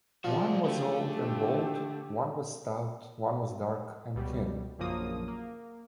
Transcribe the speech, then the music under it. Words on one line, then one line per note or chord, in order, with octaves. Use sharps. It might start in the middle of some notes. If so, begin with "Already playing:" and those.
One was old and bald, one was stout, one was dark and thin.
F3 F#4 G#4 D5
D3 A3 G4
C#2 B2 G3
A#1 F#2 C#3 F3 A#3 D#6
A#3